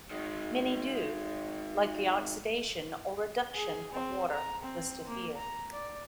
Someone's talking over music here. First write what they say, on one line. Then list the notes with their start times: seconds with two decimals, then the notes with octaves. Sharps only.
Many do, like the oxidation or reduction of water listed here.
0.11 D#3 G#3
3.54 G#4
3.92 C4
4.30 A#5
4.63 C4
5.07 A#3
5.37 A#5
5.72 D5